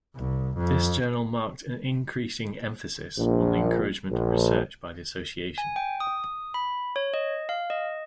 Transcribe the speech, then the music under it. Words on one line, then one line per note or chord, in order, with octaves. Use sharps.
This journal marked an increasing emphasis on the encouragement of research by the Association.
C2
F2
A#1
A#1
G#5
G5
D#6
B5
C#5
D#5
F5
D#5